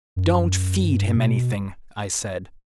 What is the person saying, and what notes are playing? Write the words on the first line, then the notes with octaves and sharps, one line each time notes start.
"Don't feed him anything," I said.
F#2
G2
B2